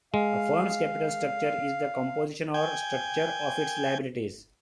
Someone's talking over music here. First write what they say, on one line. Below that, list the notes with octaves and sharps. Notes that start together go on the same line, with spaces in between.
A firm's capital structure is the composition or 'structure' of its liabilities.
G#3 F5
G5 G#5